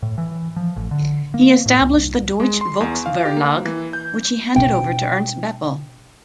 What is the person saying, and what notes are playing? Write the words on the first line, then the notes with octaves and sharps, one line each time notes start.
He established the "Deutsche Volksverlag", which he handed over to Ernst Boepple.
A2
E3
F3
A1
D3
A#3
A2
C#2
C2
G#3
C6
E2
F5
G4
A#3
E3
G6
B2 D4 G5